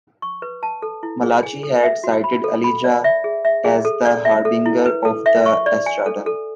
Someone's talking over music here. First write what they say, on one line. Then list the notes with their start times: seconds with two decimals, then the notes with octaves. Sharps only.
Malachi had cited Elijah as the harbinger of the eschaton.
0.22 C#6
0.42 B4
0.63 A5
0.82 A4
1.03 E4
1.23 G#4
1.43 G#5
1.63 A4
1.83 E5
2.04 F#4
2.24 B5
2.44 A4
2.64 B5
2.84 D5
3.04 E5
3.24 G#4
3.45 E5
3.65 G#4
3.85 A4
4.05 D5
4.25 E5
4.45 A4
4.66 E4
4.86 B4
5.05 A4
5.26 E5
5.46 C#6
5.66 D5
5.86 G#5
6.06 A4
6.26 A4